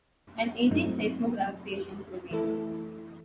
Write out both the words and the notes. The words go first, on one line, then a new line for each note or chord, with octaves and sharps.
An aging seismograph station remains.
G2 F#3 A3 C4 D#4
E3 A3 E4 A4